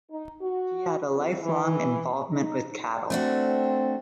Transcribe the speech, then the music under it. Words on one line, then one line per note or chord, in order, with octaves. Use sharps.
He had a lifelong involvement with cattle.
D#4
F#4
F2
E3
D#4
A3 C4 D4 F#4